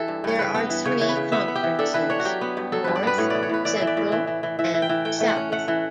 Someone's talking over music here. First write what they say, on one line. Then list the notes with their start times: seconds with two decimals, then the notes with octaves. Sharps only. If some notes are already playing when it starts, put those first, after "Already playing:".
There are three conferences, north, central and south.
Already playing: E3 G4 A4
0.08 G2
0.24 G2 C#5
0.39 C#3 B4
0.54 B3
0.70 E3
0.85 C#3 C#5
1.01 E3 C#5
1.09 B4
1.17 C#3
1.32 B3 E5
1.48 B3
1.56 G4
1.63 E3
1.79 D4 A4
1.94 E3 B4
2.10 D4 C#5
2.20 F#4
2.25 F#3 G4
2.41 B3
2.57 G2
2.72 F#3 A4
2.84 G2 B4
2.96 D5
3.03 B3 B4
3.18 A2 C#5
3.30 E3 D5
3.43 C#5
3.49 A2 B4
3.65 E3 D5
3.77 E3 E5
3.87 D5
3.97 A2
4.12 E3
4.27 E3
4.43 E3
4.59 E3 E5
4.74 E3
4.82 G5
4.89 E3
5.05 A3 G5
5.21 A3
5.29 F#5
5.36 C#4
5.52 A3 F#5
5.68 E3